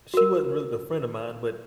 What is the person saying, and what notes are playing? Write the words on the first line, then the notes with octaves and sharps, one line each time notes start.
She wasn't really a friend of mine, but
F#4 A#4